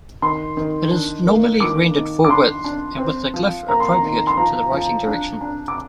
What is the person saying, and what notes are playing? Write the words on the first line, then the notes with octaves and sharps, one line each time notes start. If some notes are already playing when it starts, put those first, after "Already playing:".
It is normally rendered fullwidth and with a glyph appropriate to the writing direction.
D#3 C6
D#3
D4
A#3
D#3 D6
D#3
D6
D4 C6
D4
C4
F3
A#3 A#5
C6
A#5
D#3
C6
F3 A#5
F3
D4
D4
D6